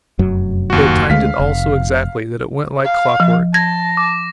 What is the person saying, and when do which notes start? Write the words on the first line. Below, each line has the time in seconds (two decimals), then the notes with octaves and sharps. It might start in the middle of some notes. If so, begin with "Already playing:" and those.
They had timed it all so exactly that it went like clockwork.
0.19 F1 F#2 F#3
0.70 D#2 F#4
1.10 D2 G#3 F5 B6
1.39 F1
2.85 F5
3.20 F3
3.54 A5 G#6 A#6
3.97 D6